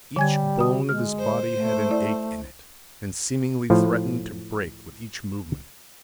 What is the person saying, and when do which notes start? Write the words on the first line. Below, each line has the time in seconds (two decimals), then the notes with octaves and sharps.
Each bone of his body had an ache in it, and seemingly threatened to break with each movement.
0.16 D3 G3 G#5 G#6
0.59 F#4 D#6
0.89 G#3 F6
1.19 C5
1.55 A3
1.90 E4 D5
3.70 A2 F3